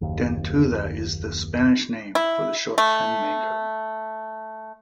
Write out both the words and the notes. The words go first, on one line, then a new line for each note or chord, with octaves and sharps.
Dentuda is the Spanish name for the shortfin mako.
F#1 D#2
E4
A3